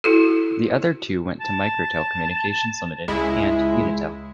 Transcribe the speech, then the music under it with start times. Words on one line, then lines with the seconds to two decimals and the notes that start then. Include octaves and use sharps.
The other two went to Microtel Communications Limited, and Unitel.
0.04 E4 F#4 A4
1.41 A5
3.08 C#2 G#3 E4